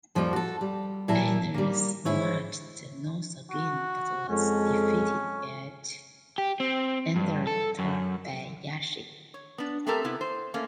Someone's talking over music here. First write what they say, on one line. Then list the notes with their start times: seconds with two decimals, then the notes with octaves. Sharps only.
Menas marched north again, but was defeated at Enderta by Yeshaq.
0.15 F2 F3 G3 A#3 D#4
0.33 F#4 A4
0.61 G3
1.08 A#2 E3 E4 A#4 A5
1.54 G3 A#3
2.05 G#2 E4 C#5
3.51 F#4
4.29 F2 G#3 C#4 A4
6.38 G4
6.60 C4
7.16 G2
7.47 A4
7.79 F#2
9.34 C#5
9.58 B3 D4
9.87 A3 B3 C4 G4 A4 A#4
10.04 C3 B3 E4
10.21 C5
10.54 A3 A#3 C#4